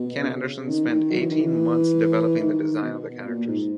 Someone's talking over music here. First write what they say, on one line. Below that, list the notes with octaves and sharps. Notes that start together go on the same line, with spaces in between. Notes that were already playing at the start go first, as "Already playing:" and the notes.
Ken Anderson spent eighteen months developing the design of the characters.
Already playing: B2
C#3
D#3
D#3
F#3
E3
D#3
E3
D#3
B2
A#2
G#2